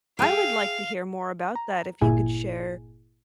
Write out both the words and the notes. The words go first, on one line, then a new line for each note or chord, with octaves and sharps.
I would like to hear more about that if you could share
G#4 E5 F5 G5
A#5
G1 A#2 E4 G#4 G#5